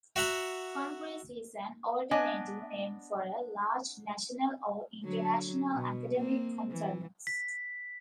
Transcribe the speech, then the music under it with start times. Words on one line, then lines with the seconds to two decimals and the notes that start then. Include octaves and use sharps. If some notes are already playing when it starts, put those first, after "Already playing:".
Congress is an alternative name for a large national or international academic conference.
0.16 F#4 E5 F#5 A#5
2.11 B3 D4 D#5 G#5
5.04 D3 F#3
5.72 B2
6.17 A#3 C4
6.72 E3
7.27 B6